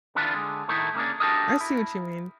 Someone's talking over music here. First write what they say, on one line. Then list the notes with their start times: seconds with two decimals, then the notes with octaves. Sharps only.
I see what you mean.
0.15 D3 D#3 D4 E4 F4 B4
0.33 D3 G#3
0.68 A2 D#3 A3 D#4 E4
0.95 C#3 A#3 C#4 D4
1.20 D4 F#4 G4 A4 A#4 D#5
1.61 E4